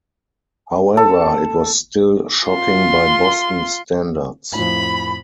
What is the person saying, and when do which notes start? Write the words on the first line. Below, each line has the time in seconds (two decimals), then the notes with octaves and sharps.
However, it was still shocking by Boston standards.
0.97 A4
2.47 F4 C6
4.55 F2 A2 B5